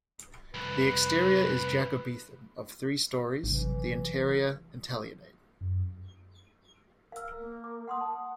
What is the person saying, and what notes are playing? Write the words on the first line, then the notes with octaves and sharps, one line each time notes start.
The exterior is Jacobethan, of three storeys, the interior Italianate.
C2 F2 B4
G#1 C3 E3 F#3
F#2
A#4 F5 E6
A#3
D6
F#5 C6 D#6
F#5 A5